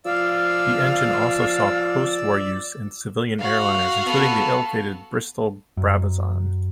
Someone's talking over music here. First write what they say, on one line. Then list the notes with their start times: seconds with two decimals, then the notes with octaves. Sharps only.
The engine also saw post-war use in civilian airliners, including the ill-fated Bristol Brabazon.
0.05 F3 D5 F5 E6
3.40 F#4 F5
4.05 B3 A4
5.77 F#2